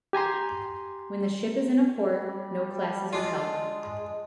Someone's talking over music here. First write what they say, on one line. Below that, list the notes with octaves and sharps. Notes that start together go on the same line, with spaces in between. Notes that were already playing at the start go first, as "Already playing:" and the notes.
When the ship is in a port, no classes are held.
G4 G#5 A#5 C6
G3
G#3 D4 F4